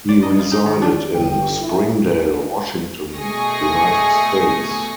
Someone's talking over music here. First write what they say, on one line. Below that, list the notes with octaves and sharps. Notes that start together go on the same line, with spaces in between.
He resided in Springdale, Washington, United States.
D5
D#5
F4
D#4
D#3
D4
G1 G5
E4
B2 A3 G#4 G#5 C#6 A#6